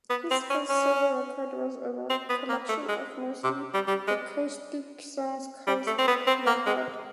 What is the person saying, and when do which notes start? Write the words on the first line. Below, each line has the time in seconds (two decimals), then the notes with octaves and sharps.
His first solo record was a collection of mostly acoustic songs called The Heart.
0.10 B3
0.31 C4
0.50 C#4
0.69 C#4
2.10 C4
2.30 B3
2.49 A#3
2.68 A3
2.88 G#3
3.44 C3
3.74 G3
3.88 G3
4.07 G#3
5.67 G3
5.87 A3
5.98 C4
6.08 B3
6.27 C4
6.47 A#3
6.66 G#3